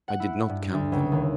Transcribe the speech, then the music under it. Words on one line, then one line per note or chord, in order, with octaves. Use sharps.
I did not count them.
F#5
E4
G2
D2
C#2
D#2